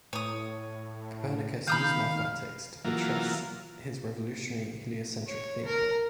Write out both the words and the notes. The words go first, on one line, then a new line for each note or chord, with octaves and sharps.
Copernicus used mathematics to buttress his revolutionary heliocentric theory.
A2 C#5 D#6
D#3 F5 B5 D#6 G6
E3 F#3 A#3 F4
C#5
A#4